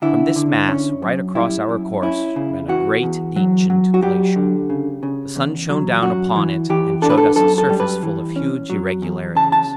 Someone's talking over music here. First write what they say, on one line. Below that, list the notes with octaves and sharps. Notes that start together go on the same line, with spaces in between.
From this mass, right across our course, ran a great, ancient glacier; the sun shone down upon it and showed us a surface full of huge irregularities.
D3 E4
D3
C#4
F#2
G3 E4
F#2
C#4 E4
C#3
E3 F#4
E2
F#3
F#3
F#4
F#3 G4
D3
C#3
C#3
E2
F#3
F#2 F#4
E3
E3 G4
D4 A4
B4
A4
F#2 A4
A4
G3
B4
E3
C#4
F#3
E2
C#3 A5
A5